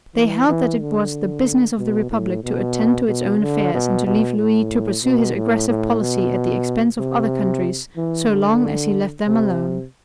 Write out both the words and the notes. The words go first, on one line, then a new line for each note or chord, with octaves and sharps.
They held that it was the business of the Republic to attend to its own affairs and to leave Louis to pursue his aggressive policy at the expense of other countries, so long as he left them alone.
E3
E3
D3
B2
A2
B2
B2
D3
B2
B2
A2
B2
A2
A2
B2
C3
E3
D3
C3